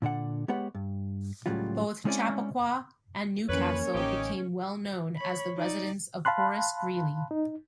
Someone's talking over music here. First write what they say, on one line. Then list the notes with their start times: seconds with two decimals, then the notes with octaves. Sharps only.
Both Chappaqua and New Castle became well known as the residence of Horace Greeley.
0.02 A#2 D3 D4 F#5
0.48 G#3 B3 G4 B4 C#5 F#5
0.75 G2
1.46 C#2 A2 C#3 F#3 G3 F4
2.05 G#3 C4 C#4 E4 D5 G#5
3.49 F2 E3 A#3 C#4 A#4 B4 C#5
3.94 A1 C#4 D#4 G4
5.16 C#5 B5
5.57 D#4 D5
6.25 F5 A5 B5 C6 F#6
7.31 D#4